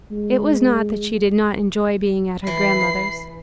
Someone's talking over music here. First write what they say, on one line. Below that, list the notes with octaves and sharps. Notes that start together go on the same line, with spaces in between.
It was not that she did not enjoy being at her grandmother's.
G#3
E3 B5 C7